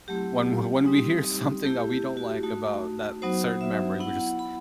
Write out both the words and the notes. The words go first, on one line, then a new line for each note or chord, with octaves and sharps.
when w when we hear something that we don't like about that certain memory, we just
F#3 A3 C4 E4 G4
G3 C4 D#4
A3 E4 G4
G4
F#4
A3 D#4 F#4
F#3 B3 D#4 F#4 C5
E5
B3 E4 F#5
B5